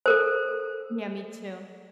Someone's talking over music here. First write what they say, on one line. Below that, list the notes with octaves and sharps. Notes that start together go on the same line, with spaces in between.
Yeah, me too.
A4 A#4 C5